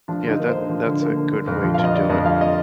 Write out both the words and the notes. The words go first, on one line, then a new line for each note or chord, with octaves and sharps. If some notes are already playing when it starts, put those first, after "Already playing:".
Yeah, that that's a good way to do it.
F3 D4
D3
D#4
A#3
C5
D3
F3
D3
A#3
D3
D3
F2
F3
F2 F5
D#5
D3 D5
F2 D#5
F3 F5
D#5